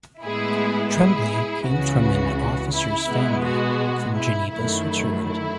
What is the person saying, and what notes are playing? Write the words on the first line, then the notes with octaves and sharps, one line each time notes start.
Trembley came from an officer's family from Geneva, Switzerland.
A2 G#3 B3 E4 G#4
E4 G#4
C#2 C#3 E3 B3 F#4
E4
B2 G#3 B3
F#4
E4
F#2 D#3 F#3 A3 E4
E4